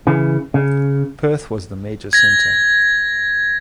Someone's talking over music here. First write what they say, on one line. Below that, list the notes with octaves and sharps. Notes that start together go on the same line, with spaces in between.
Perth was the major centre.
C#3 E3
C#3
G#6 A#6